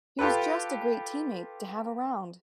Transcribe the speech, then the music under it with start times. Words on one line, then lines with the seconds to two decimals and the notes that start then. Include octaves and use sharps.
He was just a great teammate to have around.
0.19 F4 G4 A4 B4